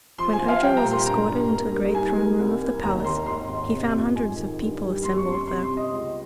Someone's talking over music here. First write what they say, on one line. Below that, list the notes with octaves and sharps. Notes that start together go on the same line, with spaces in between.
When Ojo was escorted into the great Throne Room of the palace he found hundreds of people assembled there.
F3 C6
G#5
F3
F5
G3 G5
A#5
A#2
C6
G2 A#5
G2
A#3
G3
D#4 G#5
A#3
C2
A#3
D#2 A#5
D#2 C6
G#1 C6
G#1
C3
F2
G#2 G#5
D#3
G2
G3
G1 C6
C#6
C#4
C6
C3 C6
C6
C3
D#5
C#2